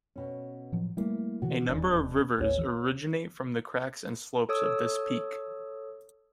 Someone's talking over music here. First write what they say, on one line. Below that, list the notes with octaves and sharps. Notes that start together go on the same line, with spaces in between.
A number of rivers originate from the cracks and slopes of this peak.
B2 C#4
A2 F3 F#3
G3 A3 A#3 E4
B2 D3 E3 F#4
D#1 E2 G#3 D4 D5
A1 D#2 G#3 B3 C#5
A4 C#5 D#6 E6